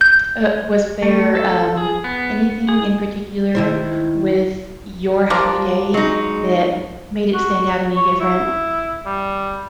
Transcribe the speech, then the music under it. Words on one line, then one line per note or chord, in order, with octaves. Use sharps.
Uh, was there, um, anything in particular with your Happy Day that made it stand out any different
G6
A3
A4
G#4
B3
G#4
D#3 E4 C5
F3 G3 A#3 D4
F#3 G#3 D#4
F#4
C#5
E4
G3